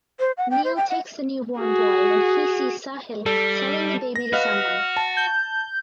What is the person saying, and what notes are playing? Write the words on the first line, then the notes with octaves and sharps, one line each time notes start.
Neel takes the newborn boy when he sees Sahil selling the baby to someone.
C5
F#5
G5
C5
G5
F#5
F#4 G#4
G3 A4
A#6
F#4 B4 D#5 F5 F6
A5
G6